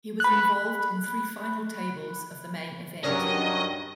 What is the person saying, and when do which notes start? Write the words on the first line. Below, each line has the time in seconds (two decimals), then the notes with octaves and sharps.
He was involved in three final tables of the Main Event.
0.20 B5 F#6
3.04 G2 D#3 F#3 C#4 D4 A#4 D#5